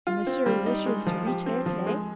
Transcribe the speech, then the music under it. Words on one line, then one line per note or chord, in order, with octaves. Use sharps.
"And Monsieur wishes to reach there to-day?"
F4
C4
G3
D#4
G#3
F3
G4
C4
F3
G#3